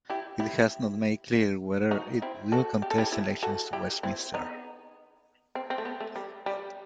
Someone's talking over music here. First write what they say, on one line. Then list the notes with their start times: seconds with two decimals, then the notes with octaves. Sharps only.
It has not made clear whether it will contest elections to Westminster.
0.10 E4 G4
0.40 E4 G4
1.91 D#4 F#4
2.22 C4 E4
2.52 F#4 A4
2.82 G4
2.91 A4
2.98 E4 G4
3.12 E4 G4
3.43 F#4 A4
3.73 E4 G4
4.03 C4 E4
4.34 B3 D#4
5.55 C4
5.70 C4
5.78 A3
5.85 B3
6.00 A3
6.16 G3
6.46 G3